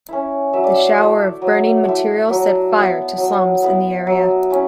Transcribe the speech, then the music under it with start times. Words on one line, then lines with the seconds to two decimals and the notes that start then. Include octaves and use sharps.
The shower of burning material set fire to slums in the area.
0.09 C#4 E4
0.53 F#3 E5
0.64 D5
0.74 E5
0.98 A3 E4
1.42 F#3
1.85 A3 E4
2.30 F#3
2.74 B3 E4
3.18 F#3
3.62 B3 E4
4.07 F#3
4.50 C#4 E4